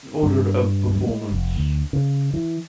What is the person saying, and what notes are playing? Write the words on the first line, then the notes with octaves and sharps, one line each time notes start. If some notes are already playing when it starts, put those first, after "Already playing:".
In order of performance.
G2
G#3
F1
D2
C#3
E3